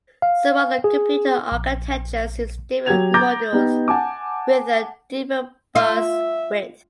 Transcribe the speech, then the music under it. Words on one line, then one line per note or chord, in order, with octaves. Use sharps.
Some other computer architectures use different modules with a different bus width.
F5
G#4
A#1
F#3 G4 G#6 F7
A#5 D6 G6 A6 A#6
B3 D#4 G4
F#5 G#5 A5 D6
F4 E5